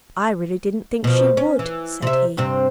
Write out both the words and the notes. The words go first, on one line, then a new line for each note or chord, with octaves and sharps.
"I really didn't think she would," said he.
B2 F3
C#4
E3
C3 E5
G2 C3 C4